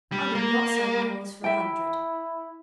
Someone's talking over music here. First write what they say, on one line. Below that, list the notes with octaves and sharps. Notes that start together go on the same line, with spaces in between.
I would not sell my horse for a hundred.
G3
A#3
E4 E5 G5